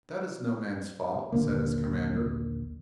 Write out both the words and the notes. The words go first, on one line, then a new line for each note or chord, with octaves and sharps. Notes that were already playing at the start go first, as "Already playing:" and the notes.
"That is no man's fault," said his commander.
A#1 D#2 D3 A#3